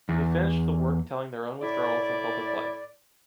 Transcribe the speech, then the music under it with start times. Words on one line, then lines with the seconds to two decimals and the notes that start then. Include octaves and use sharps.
They finished the work telling their own withdrawal from public life.
0.09 E2
1.61 A2 E4 D5